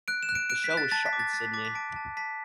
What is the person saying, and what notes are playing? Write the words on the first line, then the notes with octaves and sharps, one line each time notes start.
The show was shot in Sydney.
F#6 D7
E7
F#6
D7
F#6 D7
B6
F#6
A6
A5 A6
B6
D6
A6
A5 A6
B6
D6 A6
B6
A5 D7
A5
A5 B6